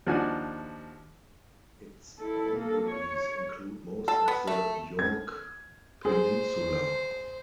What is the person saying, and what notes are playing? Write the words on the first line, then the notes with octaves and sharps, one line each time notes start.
Its boundaries include most of the Yorke Peninsula.
D#2 F3 D4 F#4 G#5
E4 A4
A#3 A4
C#5
A4
B3
A3
G#6
G#4 C5